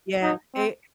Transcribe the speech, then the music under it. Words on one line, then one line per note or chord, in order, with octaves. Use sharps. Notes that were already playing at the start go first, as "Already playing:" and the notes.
Yeah. It
D#4
C4